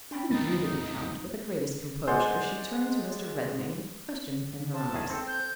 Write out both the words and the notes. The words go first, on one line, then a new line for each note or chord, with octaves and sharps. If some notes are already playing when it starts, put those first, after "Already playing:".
Having greeted the Count with the greatest composure, she turned to Mr. Redmain with question in her eyes.
D4 G5 B5
F2 A#3 D#4 A6
G#3 C5 D5 F#5
C5 A5
E2 D#3 G#4
C4 A4
G6